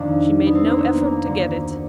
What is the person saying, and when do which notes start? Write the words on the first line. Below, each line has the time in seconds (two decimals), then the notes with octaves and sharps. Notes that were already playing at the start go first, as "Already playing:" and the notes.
She made no effort to get it.
Already playing: F2 C3 D#3 D4
0.46 B3
0.55 C4
0.67 A#3
0.78 B3
1.01 A#3
1.25 D2 D3